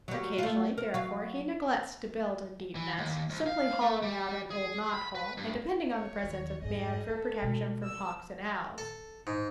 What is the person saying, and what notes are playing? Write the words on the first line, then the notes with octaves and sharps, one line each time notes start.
Occasionally, therefore, he neglects to build a deep nest, simply hollowing out an old knot-hole, and depending on the presence of man for protection from hawks and owls.
F#3 G3
A3 F4
A#4
F#3 F5
E3
D#2
C2
F5
A3
G3
G#4
B5
B4
G2
C#5
D#2
F2 G#2 G#4 D#5
F4 A4
B2 G#3
E6
A4
G#2